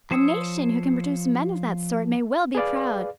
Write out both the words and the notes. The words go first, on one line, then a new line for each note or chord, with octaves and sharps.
A nation who can produce men of that sort may well be proud.
F3 C5 C#5 D#6 E6
G#4 B4 D5 F5